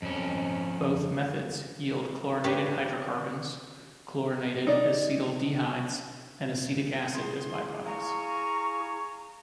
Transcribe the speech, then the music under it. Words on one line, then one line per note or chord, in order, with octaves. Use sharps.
Both methods yield chlorinated hydrocarbons, chlorinated acetaldehydes, and acetic acid as byproducts.
F2 C#4
D4 G4 B4 C#5
D#4 D5
E4 G#4 C6
F5 G#5 A#5 C#6